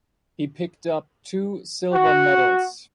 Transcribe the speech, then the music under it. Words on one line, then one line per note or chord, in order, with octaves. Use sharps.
He picked up two silver medals.
F#4